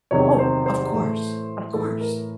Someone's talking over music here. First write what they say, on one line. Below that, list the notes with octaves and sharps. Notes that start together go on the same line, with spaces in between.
Oh, of course, of course.
E2 C3 D#3 F#3 C#5
C5
C5
A2 E3 A3
A2 E3 A3 A4
A#4